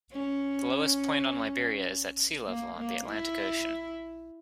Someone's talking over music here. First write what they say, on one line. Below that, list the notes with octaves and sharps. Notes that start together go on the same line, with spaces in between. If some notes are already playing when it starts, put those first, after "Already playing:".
The lowest point on Liberia is at sea level on the Atlantic Ocean.
C#4
A#3
A#3
E4